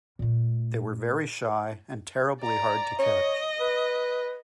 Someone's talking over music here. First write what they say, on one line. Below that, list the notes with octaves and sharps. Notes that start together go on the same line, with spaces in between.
They were very shy and terribly hard to catch.
A#2 A3
D5 A#5
C#5 D#5
B4